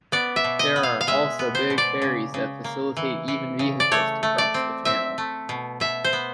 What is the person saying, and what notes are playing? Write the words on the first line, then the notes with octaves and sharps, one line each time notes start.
There are also big ferries that facilitate even vehicles to cross the channel.
B3 D5
E5
B2
D#5
B3
F5
F5
G#3 E5
B3
C5
B2
D5
C#3
C#3
A#3
E3
E3
C#3
D5
A3 C#5
A3
D5
C4
C4 E5
A3
B2
B2 E5
C5
B3